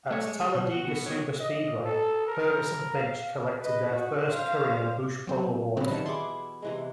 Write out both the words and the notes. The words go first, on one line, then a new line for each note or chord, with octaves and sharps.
At Talladega Superspeedway, Purvis and Finch collected their first career Busch Pole Award.
A3 C#5
G#3
B2
F#4
B3 F#4
D#3 C#5
D#5
A4
A#4
F5
B4 D#5
F#4
C5 F5
F#3 C4
A#2 C#3 F#3 G3 B3 C4
B2 D#3 E3 B3 A5 C#7
E4 G#4 C6 D6
C3 E3 G#3